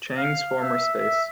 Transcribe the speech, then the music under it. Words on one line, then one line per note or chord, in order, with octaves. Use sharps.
Chang's former space.
F5
E5
E5